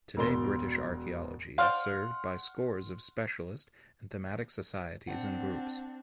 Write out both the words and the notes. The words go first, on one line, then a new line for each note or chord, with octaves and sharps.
Today British archaeology is served by scores of specialist and thematic societies and groups.
E1 B2 A#4 D5 C6 G7
C5 D5 F5 F#5 C6 F6
C4 D4 F#5